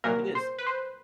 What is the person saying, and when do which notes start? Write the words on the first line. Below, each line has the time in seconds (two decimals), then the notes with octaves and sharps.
It is.
0.04 C2 A#2 F#3 A#3 A#4
0.35 C5
0.59 B4
0.67 C5